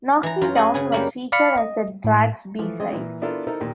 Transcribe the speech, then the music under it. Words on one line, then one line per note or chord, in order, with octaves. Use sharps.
"Knock Me Down" was featured as the track's b-side.
E3 A#5
F#2 F#3 F4 A#5
G#4 D#5 F#5
C#3 G#4 B4
F#2 G3 A#3 C#5 B5
D5 F5 B5 F6 C#7
D#5
A2
E3 F3 A3
G#3 C4 D5 D#5
A#2 E3
B3 D4 E4 F4 A4 A#4
D#4 E4 A4 A#4 C5
D#2 A#2 G4